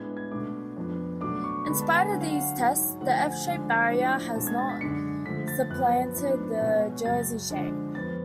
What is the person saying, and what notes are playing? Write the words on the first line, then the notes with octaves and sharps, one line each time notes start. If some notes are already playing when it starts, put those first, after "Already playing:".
In spite of these tests, the F-shape barrier has not supplanted the Jersey-shape.
Already playing: A2 G#3 B3 D4 G#6
G#6
B2 A3 D4 D6
F2 F3 B3 D4
B2 F#3 A3 D4 D6
C#6
D3 G#3 B3 D4 B5
A5
G#5
D3 F#3 C#4 F#5
F5
F#5
G#2 F#3 C#4
D3 F3 A3 F#5
G#5
G#5
D3 F3 G#3 D4
A2 F3 A3 D4
B2 G#3 D4 A5
G#6
A6
B6
F#2 D3 G#3 D4 C#7
D3 F3 A3 B6
A6
F#2 F3 B3 F#6
G#2 F3 B3 D4
B2 G#3 C#4
F#2 C#3 F#3 A6
D3 F3 G#3 D4
F2 F3 B3 A6